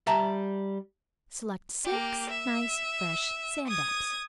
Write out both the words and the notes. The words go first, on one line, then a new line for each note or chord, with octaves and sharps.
Select six nice fresh sand-dabs.
G3 E5 A5 A#5
A#3 G4
E5
D#6 G#6